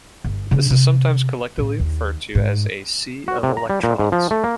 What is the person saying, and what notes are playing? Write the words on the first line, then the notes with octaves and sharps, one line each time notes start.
This is sometimes collectively referred to as a "sea of electrons".
G1
C#3 D4
C3
A2 D3
D#2
G#2
F#4
C3
A#5
G3
A#2
G#2
F3
A3
A#3